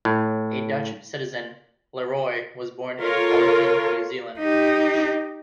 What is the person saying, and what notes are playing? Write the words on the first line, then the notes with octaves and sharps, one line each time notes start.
A Dutch citizen, Leroi was born in Wellington, New Zealand.
A2
F4 A4 A#4 C#5
D#4 G4